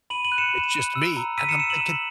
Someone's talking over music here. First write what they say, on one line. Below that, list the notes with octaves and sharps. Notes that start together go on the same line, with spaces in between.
It's just me," and I'm thinking,
B5 D#7 F#7
D#7 F#7
F#6
C#7 E7
B5
F#6
E6
A#5
E6 B6 D#7
C#7 E7
E6 C#7 E7
D#7 F#7
E6